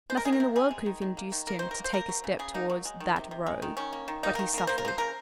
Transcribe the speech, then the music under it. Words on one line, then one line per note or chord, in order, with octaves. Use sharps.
Nothing in the world could have induced him to take a step towards "that rogue"; but he suffered.
G#3 C5
A#4
D#3 G#4
A#4
C3
C3 G#4
G#3
D#3
D#3
A#3
D#3
A#3 A#4
C5
D#3
A#4
A#3
C5
A#3 A#4
F#3
C#3
C#3 G#4
A#3 D#4
F#3
G#3
D#3
C3
C3
G#3
D#3
D#3 C#4
A#3
D#3
A#3 D#4
A#4
D#3
A#3 A#4
A#3 C5
A#4
F3 C5
C#3 A#4